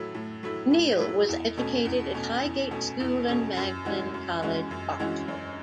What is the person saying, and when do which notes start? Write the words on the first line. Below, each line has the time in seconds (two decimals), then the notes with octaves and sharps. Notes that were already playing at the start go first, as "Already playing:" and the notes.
Neill was educated at Highgate School and Magdalen College, Oxford.
Already playing: A2 F#3 A3 E4
0.15 A2
0.43 F#3 A3 E4
0.71 A2
1.00 F#3 A3 E4
1.28 E2
1.57 B2 A3 C#4
1.85 E2
2.14 B2 A3 C#4
2.43 E2
2.71 B2 A3 C#4
3.00 E2
3.28 B2 A3 C#4
3.57 F#2
3.85 E3 G#3 C#4 F#4
4.14 F#2
4.42 E3 G#3 C#4 F#4
4.71 F#2
5.00 E3 G#3 C#4 F#4
5.28 F#2